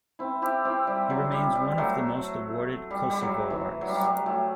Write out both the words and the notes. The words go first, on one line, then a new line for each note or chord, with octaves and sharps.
He remains one of the most awarded Kosovo artists.
C4 E4
E4 G4
C4 E4
G3
F#3
G3
G3
F#3 A3
G3
G3
F#3
E3
F#3
G3
F#3
G3
F#3 A3